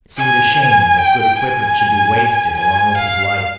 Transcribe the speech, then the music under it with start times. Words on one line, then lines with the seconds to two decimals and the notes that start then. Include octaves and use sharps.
It seemed a shame that good equipment should be wasted along with his life.
0.17 G#5
0.98 G5
1.38 G#5
2.57 G#5
2.97 F5